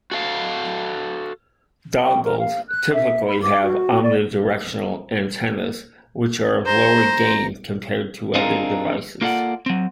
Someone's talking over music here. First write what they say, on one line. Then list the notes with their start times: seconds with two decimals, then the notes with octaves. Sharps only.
Dongles typically have omnidirectional antennas which are of lower gain compared to other devices.
0.11 F#4 A4 F5
2.03 G5
2.24 A#4
2.38 F5
2.68 F#6
2.93 E5
3.28 B5
3.43 D6
3.62 F#4
4.03 D5
6.67 C5 A#5
8.35 C4 D4 D#4 F4 G#4 A#4
9.21 A#3 F4 A4 D5 F#5
9.66 F#3 C4